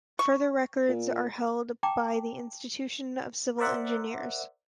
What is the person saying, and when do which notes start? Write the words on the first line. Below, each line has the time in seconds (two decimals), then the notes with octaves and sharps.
Further records are held by the Institution of Civil Engineers.
0.19 C#6
0.89 A#2
1.83 G5 A5 A#5 D6
3.59 A#4 C5 D5 E5 F#5